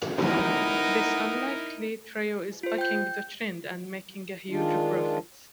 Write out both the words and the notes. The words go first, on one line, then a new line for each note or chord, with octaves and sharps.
This unlikely trio is bucking the trend and making a huge profit.
B3 D#4 E4 A#4
F4 C5
G5 G6
D#3 G#3 D4 F4